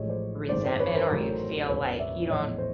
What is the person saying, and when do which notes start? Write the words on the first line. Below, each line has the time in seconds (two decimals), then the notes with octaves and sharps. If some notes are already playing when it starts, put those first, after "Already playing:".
resentment or you feel, like, you don't
Already playing: A1 A2 F3 G#3 C#5 D#5
0.09 C5 D5
0.49 G#1 F#2 D#3 G#3 C5 D5
0.65 C5 D5
0.79 B4 C#5
0.95 A#4 C5
1.09 A1 A2 F#3
1.69 E1 E2 C#3 B4 C#5
1.99 D5 E5
2.29 A#1 A2 E3 C#5 D#5
2.58 C5